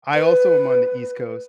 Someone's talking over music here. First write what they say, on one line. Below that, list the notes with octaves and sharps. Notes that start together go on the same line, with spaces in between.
I also am on the East Coast, t
B4